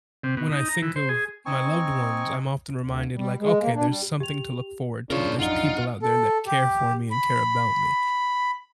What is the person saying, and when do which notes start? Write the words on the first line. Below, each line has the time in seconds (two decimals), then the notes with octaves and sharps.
when I think of my loved ones, I'm often reminded, like, okay, there's something to look forward to. There's people out there that care for me and care about me.
0.24 C3
0.37 B2
0.52 D#4
0.69 A#5
0.82 E3
0.96 C5
1.09 G#4
1.46 C4 D#4 G#5 C#6
2.82 D2
3.16 G3
3.39 G#3
3.60 A#3
3.75 D4
3.88 G3
4.20 G4 F7
5.10 C#3 D4 F4 A#4 C#5
5.40 A#1 F#2 D4 D#4 F4 F#5
6.02 A4
6.47 G4
7.11 B5